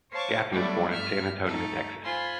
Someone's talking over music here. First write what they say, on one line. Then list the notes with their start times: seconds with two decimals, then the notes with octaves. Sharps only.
Gaffney was born in San Antonio, Texas.
0.12 C5 C#5 F5 A5 C#6 D6
0.49 F#3 G3 A3 B3 D4 E4
0.91 G2 E5 F6
1.45 A3 D#4 A4
2.04 F4 C5 G#5 B5 C6